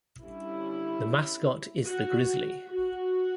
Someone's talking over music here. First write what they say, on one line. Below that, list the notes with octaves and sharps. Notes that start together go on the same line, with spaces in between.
The mascot is the Grizzly.
D3 G3 C#4 E4
F#4
F#4